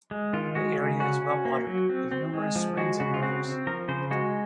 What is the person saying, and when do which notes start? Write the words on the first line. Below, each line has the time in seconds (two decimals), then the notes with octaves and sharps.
The area is well watered, with numerous springs and rivers.
0.11 G#3
0.33 D#3 F4
0.55 G#3 F#4
0.78 C#3
1.00 C#4 F#4
1.22 C#4
1.45 A#3
1.67 F#3
1.89 C4
2.12 C4
2.34 G#3
2.56 F3
2.77 G#3 F#4
3.00 C#3 F#4
3.14 F4
3.22 C4 F#4
3.44 C4
3.67 F3 A#4
3.88 C#3 C5
4.11 G#3 F#4